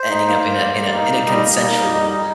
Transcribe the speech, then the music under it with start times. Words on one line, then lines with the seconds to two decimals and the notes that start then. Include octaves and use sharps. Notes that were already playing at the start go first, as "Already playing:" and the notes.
ending up in a in a in a consensual,
Already playing: C5
0.10 D#4
0.27 A#3
0.43 A#3
0.60 G3
0.76 A#3
0.93 D#4
1.10 G3
1.27 G3 D#5
1.44 A#3
1.61 D#4
1.77 G3
1.94 D#4
2.11 D#4